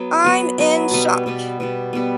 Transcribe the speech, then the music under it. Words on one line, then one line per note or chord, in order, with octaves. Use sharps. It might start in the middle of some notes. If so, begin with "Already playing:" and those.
I’m in shock.
Already playing: F#3 B3
F#3 B3 F#4 B4
F#3 B3 F#4 B4
B2 G3 B3
B2 G3 B3
B2 G3 B3
B2 G3 B3